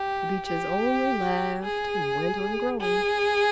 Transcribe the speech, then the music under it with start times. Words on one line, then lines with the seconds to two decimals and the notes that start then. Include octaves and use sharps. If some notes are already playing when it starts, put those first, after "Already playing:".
The Beeches only laughed and went on growing.
Already playing: G4
0.46 G4
1.63 G#4
2.80 G#4